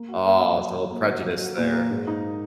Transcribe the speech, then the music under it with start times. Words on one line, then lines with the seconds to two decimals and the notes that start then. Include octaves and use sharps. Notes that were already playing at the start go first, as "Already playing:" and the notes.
Oh, it's a little prejudice there.
Already playing: A#3
0.08 F#4
0.25 A#3
0.41 A#3
0.57 F#3
0.74 F#3
0.90 A#3
1.08 F#3
1.24 F#3
1.41 F#4
1.57 A#2
1.73 A#3
1.90 G#2
2.07 D#4